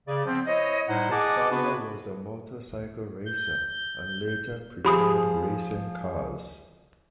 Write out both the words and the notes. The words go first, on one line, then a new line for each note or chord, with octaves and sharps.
His father was a motorcycle racer and later prepared racing cars.
C#3 D5
F3 B3 C4
E4 C5 C#5 D#5
A2 G3 D#4 E4 C5 F#5
G#4 D#5 F#5 A5 D6
C#3 B3 D4 F#4 G#4 B4
G6
F3 G4 G#4 B5 D#6